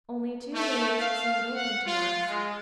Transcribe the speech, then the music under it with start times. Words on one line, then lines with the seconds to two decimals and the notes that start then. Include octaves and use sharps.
Only two ways seemed open to us.
0.54 A3
0.99 F5
1.54 F#5
1.85 F4
2.27 G#3